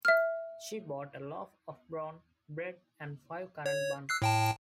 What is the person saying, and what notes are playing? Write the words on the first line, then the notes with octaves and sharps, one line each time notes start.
She bought a loaf of brown bread and five currant buns.
E5 F6
C#5
E6 F#6 C7
A2 G5 A5